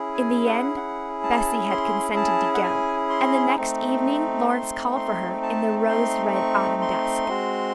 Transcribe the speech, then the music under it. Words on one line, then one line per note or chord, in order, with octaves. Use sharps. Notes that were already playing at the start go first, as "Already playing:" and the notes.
In the end Bessy had consented to go, and the next evening Lawrence called for her in the rose-red autumn dusk.
Already playing: C#4 E4 G#4
G#5
F#5
F#5
A5
C6
A5
F#5
G#5
C6
A3 C4 D#4
C6
C6
A5
C6
C#6
C6
G#3 C4 F#4